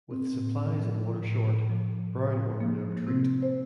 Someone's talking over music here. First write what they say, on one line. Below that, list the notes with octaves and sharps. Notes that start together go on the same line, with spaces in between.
With supplies and water short, Brown ordered a retreat.
C4
A2
F3
A2
F3
A2
F3 A#3
C3 C4
C5